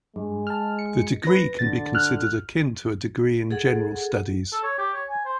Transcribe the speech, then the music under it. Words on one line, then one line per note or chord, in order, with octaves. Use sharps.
The degree can be considered akin to a degree in general studies.
G2 G#3
A5 F6
C#7
B4 A#6
D3 A6
F6 F#6
G#4 A4 F#5
A4
C#5
G4
C#5
G#5
C5